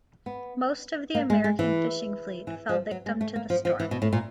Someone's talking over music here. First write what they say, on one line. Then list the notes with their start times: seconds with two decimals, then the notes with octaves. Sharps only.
Most of the American fishing fleet fell victim to the storm.
0.26 B3
1.15 A#3
1.30 G#3
1.44 G#3
1.59 E3
2.47 E3
2.69 F3
2.91 F#3
3.06 G#3
3.21 A3
3.36 A#3
3.50 F3
3.65 F3
3.80 E3
3.91 B2
4.02 A2
4.13 A#2